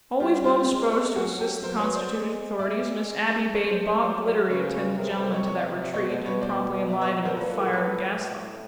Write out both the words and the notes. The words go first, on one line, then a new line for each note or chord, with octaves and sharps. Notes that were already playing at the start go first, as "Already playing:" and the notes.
Always well disposed to assist the constituted authorities, Miss Abbey bade Bob Gliddery attend the gentlemen to that retreat, and promptly enliven it with fire and gaslight.
G3 F4 G4
F4 G4
G#3
F#3 F#4 G#4
G4 A4
F#3 A#4 C5
B4 C#5
C5 D5
G#3
G#3 D5 E5
C#5 D#5
C5 D5
C5 D5
F#3 C5 D5
D5 E5
C#3 B4 C#5
A#4 C5
B4 C#5
C3 G#4 A#4
A4 B4
A#4 C5
C#5 D#5
C#5 D#5
D5 E5
D5 E5
B2 C#5 D#5
C5 D5
B4 C#5
C5 D5
D5 E5
C#5 D#5
A#4 C5
A#2 A4 B4
A4 B4
G#4 A#4
A4 B4
A2